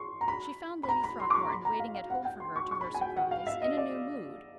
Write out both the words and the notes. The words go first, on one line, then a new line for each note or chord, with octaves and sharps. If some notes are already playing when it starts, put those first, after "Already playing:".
She found Lady Throckmorton waiting at home for her, to her surprise, in a new mood.
Already playing: C6 C#6
A#5
B5
B5
A#5
B5
C6
D6
C#6
A#5
B5
A#5
F5
F5
F#5
G5
C6
C#6
C#6
B5
G#5
G5
F#5
F5
E5
D#5
D5